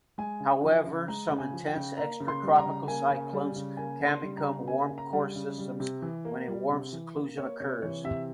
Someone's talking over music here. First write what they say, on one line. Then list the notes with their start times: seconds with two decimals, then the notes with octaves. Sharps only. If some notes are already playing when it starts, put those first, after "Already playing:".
However, some intense extratropical cyclones can become warm-core systems when a warm seclusion occurs.
0.18 G#3 G#5
0.40 C#3
0.63 F3
0.86 C#3
1.08 G#3 A#5
1.30 C#3
1.38 G#5
1.53 F3
1.67 G5
1.75 C#3
1.98 A#3 A#5
2.20 C#3
2.28 C6
2.43 G3
2.58 A#5
2.66 C#3
2.87 A#3 G#5
3.10 C#3
3.33 G3
3.56 C#3
3.77 A#3 G#5
4.00 C#3
4.08 C6
4.23 G3
4.37 A#5
4.45 C#3
4.68 A#3 G#5
4.90 C#3
4.98 A#5
5.13 G3
5.35 C#3
5.58 G3
5.80 C3
6.02 E3
6.25 A#3
6.48 G3
6.69 C3
6.93 E3
7.15 A#3
7.37 A#3 C#5
7.60 C3 C#5
7.82 E3 C#5
8.04 C3 E5